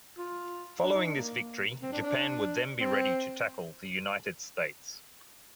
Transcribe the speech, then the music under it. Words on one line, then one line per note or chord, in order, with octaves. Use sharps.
Following this victory, Japan would then be ready to tackle the United States.
F4
D4
D#4
D4
A#3
C4
D4
D4
C4